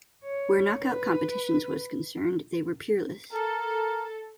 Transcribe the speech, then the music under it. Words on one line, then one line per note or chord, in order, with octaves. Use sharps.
Where knock-out competitions was concerned, they were peerless.
C#5
B4
A4 A#4